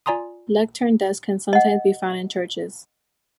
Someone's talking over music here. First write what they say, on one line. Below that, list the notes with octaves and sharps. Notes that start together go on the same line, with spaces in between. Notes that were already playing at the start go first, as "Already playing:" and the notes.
Lectern desks can sometimes be found in churches.
F4 D5 G#5 A#5 C6 D#6
D#5 F#5